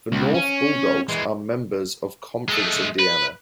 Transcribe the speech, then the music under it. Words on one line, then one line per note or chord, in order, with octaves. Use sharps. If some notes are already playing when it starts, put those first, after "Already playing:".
The North Bull Dogs are members of Conference Indiana.
C#2
C#4
E3 G#3
G#3 A3
B4